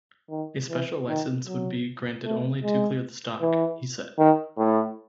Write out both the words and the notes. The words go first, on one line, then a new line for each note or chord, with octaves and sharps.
A special license would be granted only to clear the stock, he said.
D#3
E3
D#3
F#3
A3
G#3
E3
D#3
A2